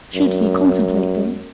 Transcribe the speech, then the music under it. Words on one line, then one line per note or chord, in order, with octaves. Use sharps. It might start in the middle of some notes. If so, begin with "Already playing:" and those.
Should he contemplate them?
F#2